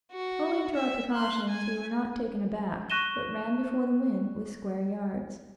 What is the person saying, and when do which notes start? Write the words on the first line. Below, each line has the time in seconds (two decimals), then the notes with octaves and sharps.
Owing to our precautions, we were not taken aback, but ran before the wind with square yards.
0.12 F#4
0.76 E5
1.13 C6 F#6
1.49 G#5
2.90 C#6 F#6 A#6 D#7 E7 G7